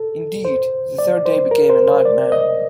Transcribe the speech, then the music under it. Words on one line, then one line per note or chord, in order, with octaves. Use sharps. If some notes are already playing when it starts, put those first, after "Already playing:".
Indeed, the third day became a nightmare.
Already playing: A4
C5
D5
C5
A#4
C5
C5
D5
D#5